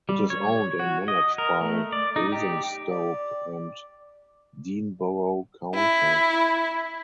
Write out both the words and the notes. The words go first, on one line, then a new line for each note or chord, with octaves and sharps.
It is owned and managed by Basingstoke and Deane Borough Council.
G3
C#5
F#4
D#5
A#4
A3
D5
D#4
G4
D5
E4